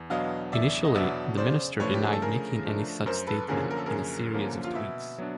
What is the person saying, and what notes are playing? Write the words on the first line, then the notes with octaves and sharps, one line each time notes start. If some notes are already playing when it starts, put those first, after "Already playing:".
Initially the minister denied making any such statement in a series of tweets.
Already playing: E2
B2 F#3 B3 D4 D#5 F5
E2 D5 E5
D#5
B2 F#3 B3 D4 D5 E5
C#3 C5 D5
F3 A3 D4 B4 C#5
G4
G#4
A4
C#3 G#4 A#4
F3 A3 D4
F#2 A#4 C5
A4 B4
D3 F3 A#3 C#4 G#4 A#4
A#4
A4
F#2 G#4 A#4
D3 F3 A#3 C#4
F4
B2 E4
F#3 B3 D4